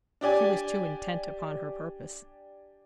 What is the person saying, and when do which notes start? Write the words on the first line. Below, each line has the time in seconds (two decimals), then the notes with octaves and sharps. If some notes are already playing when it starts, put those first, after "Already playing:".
She was too intent upon her purpose.
0.21 D4 G4 D5 G#5